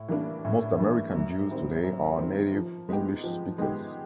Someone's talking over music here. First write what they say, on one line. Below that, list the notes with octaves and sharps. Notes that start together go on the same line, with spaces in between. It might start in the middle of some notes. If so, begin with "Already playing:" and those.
Most American Jews today are native English speakers.
Already playing: A2
E3 G3 A#3 D4
A2
E3 G3 A#3 D4
F#2
D#3 G3 C4
F#2
D#3 G3 C4
F3
G#3 B3 D#4 G4
F3
G#3 B3 D#4 G4